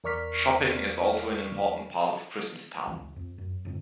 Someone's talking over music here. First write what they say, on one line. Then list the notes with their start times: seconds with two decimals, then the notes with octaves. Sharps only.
Shopping is also an important part of Christmas Town.
0.04 E2 A#4 D5 C#6 F6 B6
2.87 C#2 E3
3.01 C#2
3.16 F2
3.38 F#2
3.65 F2 G#2 D3